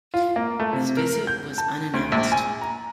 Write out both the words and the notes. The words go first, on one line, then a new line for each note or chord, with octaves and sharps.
His visit was unannounced.
F4
A#3
A3
C3
A#4
G6
A5
D2
A#1
G#5
A#5